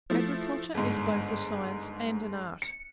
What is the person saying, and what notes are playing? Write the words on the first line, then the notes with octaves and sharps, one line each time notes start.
Agriculture is both a science and an art.
F3 A3 E4
G1 G#2
C#7